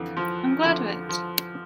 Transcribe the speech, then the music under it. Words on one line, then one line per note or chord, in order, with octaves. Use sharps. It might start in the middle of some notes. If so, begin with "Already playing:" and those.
I'm glad of it!
Already playing: F2 D3 E3
F3
F2 D3 F3
F3